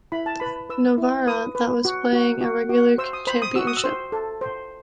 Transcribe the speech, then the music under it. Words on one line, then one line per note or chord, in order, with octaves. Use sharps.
Novara, that was playing a regular championship.
E4 B5
A5
B4 B5
B4 E6
E4
B4 D#6
B4
F#4
F#4
F#4
F#4
C5 E6
D#6
C5 B5
D#6
F#4 E6
D#6
E6
C5
A4
C5